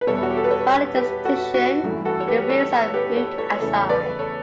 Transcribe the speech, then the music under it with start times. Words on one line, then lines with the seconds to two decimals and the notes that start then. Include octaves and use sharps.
While in this position the wheels are moved aside.
0.01 B4
0.07 E2 B2 G3 A4 C#5
0.23 F#4
0.30 G4
0.37 A4
0.44 B4
0.51 A4 C#5
0.95 G4 B4
1.25 F#4 A4
1.54 F#4
1.83 G2 E3 A3
2.05 F#4 A4
2.20 C#5
2.28 G4 B4
2.49 A4 C#5
2.72 A4 C#5
2.94 G4 B4
3.16 A4 C#5
3.38 A4 C#5
3.60 E2 C#3 E3 A3 A4 C#5
3.89 B4 D5
4.19 A4 C#5